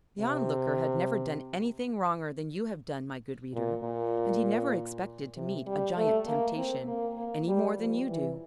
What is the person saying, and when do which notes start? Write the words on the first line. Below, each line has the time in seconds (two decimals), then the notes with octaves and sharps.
The Onlooker had never done anything wronger than you have done, my good reader, and he never expected to meet a giant temptation, any more than you do.
0.20 C3
3.53 A#2
3.84 A#2
5.36 C3
5.66 G3
5.97 A3
6.27 A#3
6.57 C4
6.87 A#3
7.17 A#3
7.48 G3
7.78 F3
8.08 E3